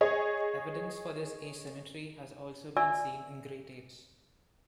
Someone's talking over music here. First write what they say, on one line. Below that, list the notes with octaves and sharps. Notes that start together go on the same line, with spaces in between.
Evidence for this asymmetry has also been seen in great apes.
G#4 C#5 D#5
D5 E5 G#5 C#6 E6